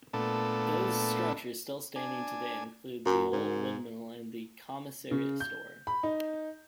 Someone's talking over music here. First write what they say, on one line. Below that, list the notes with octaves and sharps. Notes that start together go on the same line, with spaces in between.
Those structures still standing today include The Old Windmill and the Commissariat Store.
A#2 A3 B3 D4 A4
D4 G#5
F#2 F#4 A#4
G#2
C#3
G6
B5
D#4